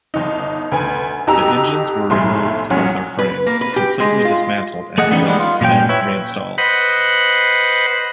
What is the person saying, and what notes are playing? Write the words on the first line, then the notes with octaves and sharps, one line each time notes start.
The engines were removed from their frames, completely dismantled and rebuilt, then reinstalled.
G1 D#4
D2 B4 G#5
F2 D#4 F#4 G4 A#5 E6
F1 B1 A2 E4 C6 C7
A#1 F#3 C#4 F#5
B4
A#3
B4
G4
G#3
F4
A3 G#4 D#5 F#5
E3 G3 G#3 B3 C#4 D#4
G3 G#3 B3
F4
A#2 F#3 C#4 G5
E4 B4 C#5
B4 C5 D#5 F#5 B5